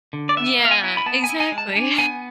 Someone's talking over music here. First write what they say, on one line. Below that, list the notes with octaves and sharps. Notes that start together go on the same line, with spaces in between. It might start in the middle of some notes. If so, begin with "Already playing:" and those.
Yeah, exactly.
D3
D5
B3 E5
B3
F5
G#5
E4
B5
B3 A5
G#5
E4
G#5
G#3
A5
D4 G#5
B3 G#5